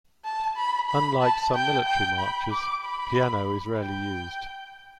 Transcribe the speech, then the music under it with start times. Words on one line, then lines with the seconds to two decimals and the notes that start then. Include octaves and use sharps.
Unlike some military marches, piano is rarely used.
0.25 A5
0.56 B5
0.89 B5
1.21 A5
1.54 G5
1.87 G5
2.19 B5
2.52 D6
2.84 B5
3.81 G5